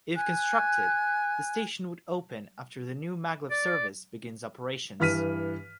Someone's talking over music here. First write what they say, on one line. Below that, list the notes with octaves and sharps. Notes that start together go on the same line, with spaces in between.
If constructed, the station would open after the new maglev service begins operations.
G#5 F#6
D5
G2 E3 F6 B6 D#7